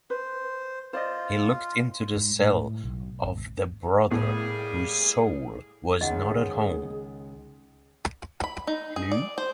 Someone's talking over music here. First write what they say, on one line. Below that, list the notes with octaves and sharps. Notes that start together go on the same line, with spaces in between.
He looked into the cell of the brother whose soul was not at home.
B4 C5
F4 C5 D5 D#5
G#2
A2
B1
G#1
A2 G3 A#3 B3 G#4
C#2 D#3 F4 G#4 D#5 F#5
B5
D#4
G#4
D5
C5